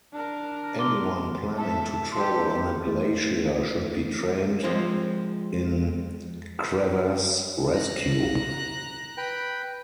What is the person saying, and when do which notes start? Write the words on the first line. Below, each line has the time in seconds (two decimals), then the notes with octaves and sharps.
Anyone planning to travel on a glacier should be trained in crevasse rescue.
0.12 D4 A#4
0.78 C6 D6 G7
1.57 A4 E5 A5
2.12 F#4 G4 A4 C6
2.87 A3
4.63 F3 G#3 C4
7.73 A#5 F#6
9.17 B4 G5